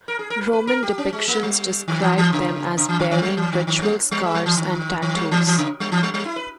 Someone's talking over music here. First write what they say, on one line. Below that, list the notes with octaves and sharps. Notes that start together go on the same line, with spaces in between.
Roman depictions describe them as bearing ritual scars and tattoos.
A#4
G#4
A#4
B4
B4
A#4
G4
C#4
G#3
A#3
G3
D#3
E3
E3
C#3
C#3
E3
D#3
D#3
G3
E3
D#3
D#3
G3
G3
G#3
G3
E3
D#3
D#3
G3
E3
E3
C#3
G3
E3
G3
G3
E4
B4